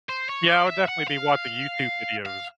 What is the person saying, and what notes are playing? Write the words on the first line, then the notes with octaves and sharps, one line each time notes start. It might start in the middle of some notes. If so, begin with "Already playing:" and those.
Yeah, I would definitely be watching YouTube videos.
C5
C#5
D5
E5
F#5
F5
F5